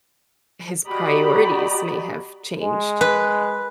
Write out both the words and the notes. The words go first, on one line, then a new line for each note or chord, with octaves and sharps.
his priorities may have changed.
F#4 G4 D5 D#5 A#5 B5
G#3
B4